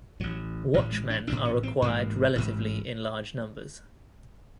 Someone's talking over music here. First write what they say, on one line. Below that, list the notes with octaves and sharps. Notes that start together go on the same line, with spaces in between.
Watchmen are required relatively in larger numbers.
A1 A2 F#3
A1 A2 F#3
G#3
D4
A1 A2 D4
C#4
C4
A1 G#2 A#3
A1 G#2